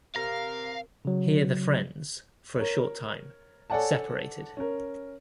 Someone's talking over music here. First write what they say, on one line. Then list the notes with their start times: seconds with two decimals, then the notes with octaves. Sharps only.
Here the friends, for a short time, separated.
0.16 C3 A#4 F5 A#5
1.05 C#3 F#3
2.56 A#4 C#5
3.70 A4 C#5 D5 F#5 G#5 A5
4.57 C#4 A#4